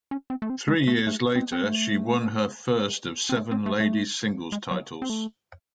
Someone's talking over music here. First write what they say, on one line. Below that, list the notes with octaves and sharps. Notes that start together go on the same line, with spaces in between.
Three years later, she won her first of seven ladies singles titles.
C#4
C4
A3
C4
G#3
A3
A3
C4
C4
A3
C4
A3
C4
A3
A3
G#3
F#3
C4
A3